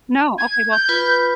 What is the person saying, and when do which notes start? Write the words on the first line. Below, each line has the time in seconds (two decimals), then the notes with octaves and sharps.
No, okay, well,
0.38 G#6
0.71 G6
0.89 F4 B4 B5